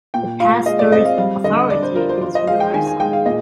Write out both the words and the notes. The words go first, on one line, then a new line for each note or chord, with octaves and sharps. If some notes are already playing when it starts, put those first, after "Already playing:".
The "pastor's" authority is universal.
A#2 G5
F4 F5
G#3 D#5
D5
C4 D#5
F5
G3 F5
D3 D#5
D4 D5
C5
F4 A#4
C5
F4 C5
D#5
G#3 F5
G5
D#3 G#5
G#5
G#3 G5
F5
A#2 D#5